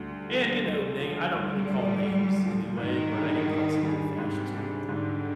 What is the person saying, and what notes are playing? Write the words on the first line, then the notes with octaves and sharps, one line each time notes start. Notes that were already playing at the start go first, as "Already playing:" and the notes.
and, you know, na I don't really call names anyway, but I did call someone a fascist one time,
Already playing: D2 G3
D3 F3
D2
D3 F3
D2 G3
D3
F3
D2
D3 F3
G#2 D#3
G3 D4 G#4
G#2
G3 D4 G#4
G#2 C3
G3 D4 G#4
G#2 D3